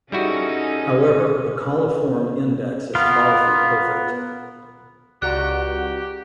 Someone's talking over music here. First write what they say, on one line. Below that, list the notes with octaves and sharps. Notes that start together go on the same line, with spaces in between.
However, the coliform index is far from perfect.
G3 C#4 D#4 E4 F#4 G#4 A4
B3 F4 A#4 F5
C#2 F#4 G4 D5 F#5 A#5 F#6